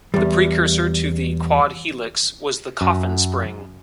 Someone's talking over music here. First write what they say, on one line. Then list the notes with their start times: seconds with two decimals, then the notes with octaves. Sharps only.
The precursor to the quad-helix was the coffin spring.
0.14 E2 G3
2.81 F#2